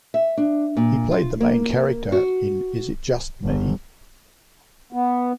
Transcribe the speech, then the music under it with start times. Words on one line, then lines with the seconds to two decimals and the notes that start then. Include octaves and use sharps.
He played the main character in Is It Just Me?
0.14 E5
0.37 D4
0.77 A#2
1.11 F4
1.40 A#3
2.12 F#4
3.44 G1
4.93 B3